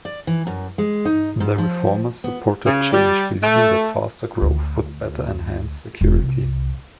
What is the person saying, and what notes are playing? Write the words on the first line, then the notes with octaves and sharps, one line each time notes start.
The reformers supported change, believing that faster growth would better enhance security.
D5
E3
F#2
G#3
D#4
G#2
F3
B3
C#3
G3
A3
D2
E1
C2